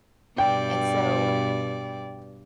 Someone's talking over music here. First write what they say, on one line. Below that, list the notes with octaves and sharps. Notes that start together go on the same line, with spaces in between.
And so,
G2 B2 D5 G5